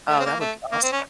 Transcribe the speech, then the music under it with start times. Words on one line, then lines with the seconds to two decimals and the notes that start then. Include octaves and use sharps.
oh, that would be awesome.
0.09 A3
0.19 C4
0.25 A#3
0.40 A3
0.72 A#3
0.83 C4
0.92 C#4